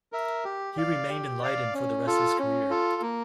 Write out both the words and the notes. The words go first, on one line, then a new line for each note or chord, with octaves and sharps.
He remained in Leiden for the rest of his career.
A#4 E5
G4
D5 F5
G4
D5 F5
C#4
F4 A4
C#4
F4 A4
A#3